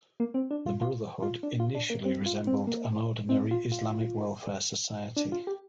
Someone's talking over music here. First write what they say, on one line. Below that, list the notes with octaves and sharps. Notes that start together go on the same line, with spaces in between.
The Brotherhood initially resembled an ordinary Islamic welfare society.
A#3
C4
D4
F4
F4
F4
D4
F4
D4
A#3
C4
F4
C4
A#3
C4
F4
F4
D4
F4
G4